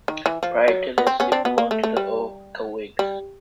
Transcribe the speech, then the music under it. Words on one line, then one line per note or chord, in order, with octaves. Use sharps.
Prior to this, it belonged to the O'Cowigs.
D#3
E3
F3
F#3
B3
C4
B3 C#4
C4 D4
B3
A#3
A3
A3
G3
G3